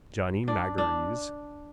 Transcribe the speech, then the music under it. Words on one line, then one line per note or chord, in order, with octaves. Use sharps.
Johnny Magories.
D4
D4